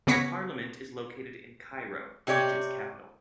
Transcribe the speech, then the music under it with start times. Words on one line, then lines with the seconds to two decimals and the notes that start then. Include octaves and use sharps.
The Parliament is located in Cairo, Egypt's capital.
0.07 C#3 B3 C#5 A#6 B6 C#7
2.27 C3 G4 C#5 D5 G5